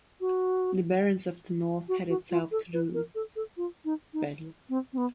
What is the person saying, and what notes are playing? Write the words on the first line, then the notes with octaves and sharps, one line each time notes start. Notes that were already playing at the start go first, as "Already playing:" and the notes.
The barons of the north headed south to do battle.
F#4
F#4
F#4
F4
A4
B4
A#4
A4
A4
F4
D#4
D#4
C4
C4
B3